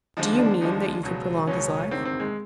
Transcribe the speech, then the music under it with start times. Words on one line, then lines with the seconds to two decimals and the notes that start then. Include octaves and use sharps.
"Do you mean that you could prolong his life?"
0.17 D#2 D3 F3 G#3
0.39 D4
0.61 D#2 D3 F3 G#3
1.03 C#2 B2 F#3
1.47 C#2 B2 F#3 C#4
1.91 E1 D2 C3 D#3 C4
2.05 C4
2.20 G#3